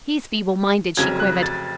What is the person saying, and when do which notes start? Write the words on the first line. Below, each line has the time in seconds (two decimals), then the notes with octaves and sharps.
"He's feeble-minded," she quivered.
0.97 F1 F2 C#3 F#3 G#6
1.20 F#6
1.42 A6